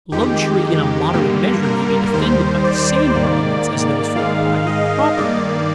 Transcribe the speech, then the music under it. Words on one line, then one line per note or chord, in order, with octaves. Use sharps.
Luxury in a moderate measure may be defended by the same arguments as those for private property.
F2 D#3 G#3 G4
G2 D3 G3 A#3
A#4
D#2 D#3 G3 C5
D5
G#2 D#3 A#3
G#2 D#3 G#3 F5
D#5
G2 D#3 A#3 D5